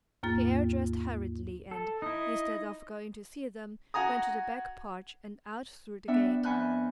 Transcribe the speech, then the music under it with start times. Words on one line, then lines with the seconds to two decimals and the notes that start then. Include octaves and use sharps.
Pierre dressed hurriedly and, instead of going to see them, went to the back porch and out through the gate.
0.23 D#2 G#2 A#3 F4 A6
1.71 A4
2.02 D#4 E4 D#5
3.94 F#4 F#5 G#5 A#5 D#6
6.08 B3 D4 E5 F#5 G5
6.44 F2 F#5 G#5 B5 F#6 G6